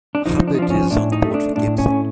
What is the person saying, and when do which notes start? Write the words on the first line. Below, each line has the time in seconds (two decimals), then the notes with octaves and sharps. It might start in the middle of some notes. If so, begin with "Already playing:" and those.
Hubbard is on the board for Gibson.
0.15 D4
0.26 F3 D#4
0.48 D4
0.55 D#4
0.59 F3 D4
0.70 C#4
0.91 A2 D4
1.12 D#4
1.24 A3
1.34 D4
1.56 A2 D4
1.78 C#4
1.89 A2